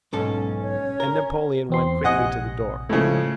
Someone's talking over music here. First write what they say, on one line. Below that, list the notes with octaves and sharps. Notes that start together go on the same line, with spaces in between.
And Napoleon went quickly to the door.
B1 G#2 C#4 A4
C#5
A#4
E2 C4 C6
A#1 C3 D#5 F#5 G#5
A2 C#3 F3 G#3 A3